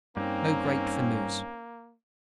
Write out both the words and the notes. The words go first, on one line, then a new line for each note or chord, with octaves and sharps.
No great for news.
G2 A#3 C4 C#4 D#4